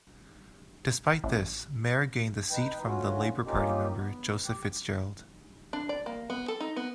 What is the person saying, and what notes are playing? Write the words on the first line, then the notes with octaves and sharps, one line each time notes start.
Despite this, Mair gained the seat from the Labor party member, Joseph Fitzgerald.
A1
D#4 B4 G5
D2 C#4 F4 F#4
A#3 C#4 D#4 F4 G4
B3
G4
D4
D5
A#3
B3
A4
D#4
B3